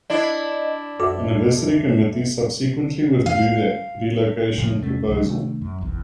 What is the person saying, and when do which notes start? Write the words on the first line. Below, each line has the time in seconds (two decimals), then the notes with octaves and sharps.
The anniversary committee subsequently withdrew their relocation proposal.
0.10 D4 E4 D5 D#5
1.00 F#2 F#4 A4 E5 D6
3.26 F5
4.58 A2 C#3 F3 G#3
4.81 E2 C3 A3 C#4
5.07 C#2 B2 F3 F#3
5.26 C3 D#3 A3 D4
5.61 F#2
5.81 F#1 B1 E2